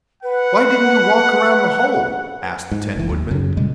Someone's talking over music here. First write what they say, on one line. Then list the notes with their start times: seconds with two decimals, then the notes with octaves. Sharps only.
"Why didn't you walk around the hole?" asked the Tin Woodman.
0.23 B4 F#5
2.71 G#2
2.96 F#1 E3
3.09 D#2
3.31 F#2 C#3
3.57 A#2 C#3 G3 G#3